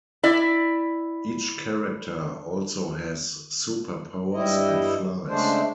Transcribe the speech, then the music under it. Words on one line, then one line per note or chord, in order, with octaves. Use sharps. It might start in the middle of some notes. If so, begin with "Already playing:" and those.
Each character also has super powers and flies.
E4 D5
G2 G3 E4 D#5
C#3 G#3 A3 D4 C5